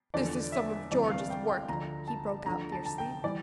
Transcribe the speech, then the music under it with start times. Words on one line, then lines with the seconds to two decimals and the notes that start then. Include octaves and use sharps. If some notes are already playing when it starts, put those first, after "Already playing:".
"This is some of George's work," he broke out fiercely.
0.14 E2 D3 F3 D5
0.52 E5
0.91 D2 C3 E3 G3 D5
1.10 F5
1.30 G5
1.49 G5
1.68 D2 D3 F3 A#5
2.08 A5
2.46 D2 D3 F3 A#5
2.72 A5
2.85 A5
2.98 G5
3.24 E3 G3 D5